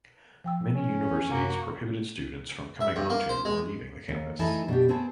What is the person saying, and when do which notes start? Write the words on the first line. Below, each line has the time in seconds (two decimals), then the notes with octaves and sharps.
Many universities prohibited students from coming onto or leaving the campus.
0.44 F3 G5 E6
0.75 C#4
1.31 F#2 C3 A#3 F#4
2.81 E5
2.96 G2
3.10 A#3
3.29 C5
3.45 G#3
4.08 D#2
4.39 E3 A3 D#4 E4 G#4 A4
4.68 B2 D4 G4
4.88 B3 C4 G#4 A5